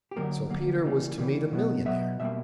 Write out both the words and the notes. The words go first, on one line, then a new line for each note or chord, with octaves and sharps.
So Peter was to meet a millionaire!
G4
D3 F#3 A#3 A#4
D3 F#3 A#3
C#3 E3 G3 A#3
C#3 E3 G3 A#3
B2 F#3 B3
B2 F#3 B3 E5
B2 G3 A#3 E5